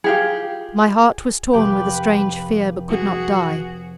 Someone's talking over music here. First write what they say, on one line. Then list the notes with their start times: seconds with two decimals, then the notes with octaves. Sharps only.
My heart was torn with a strange fear, but could not die.
0.04 F4 G4 G#4
1.53 F1 G4 B4 G5
2.89 F#4 G#4